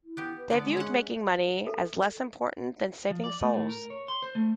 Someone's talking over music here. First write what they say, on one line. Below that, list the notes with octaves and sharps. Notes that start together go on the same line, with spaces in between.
They viewed making money as less important than saving souls.
E4
B3 G4
B4
D3 B3 D5
G#3
C#4 F#5
A4
F3
D5
A3
A2
A#4
C#5
C6
C5
A3